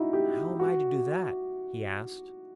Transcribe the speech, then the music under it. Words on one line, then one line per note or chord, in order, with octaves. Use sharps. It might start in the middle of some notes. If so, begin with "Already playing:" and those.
'How am I to do that?' he asked.
Already playing: D#4 E4 F#4
G4
F#4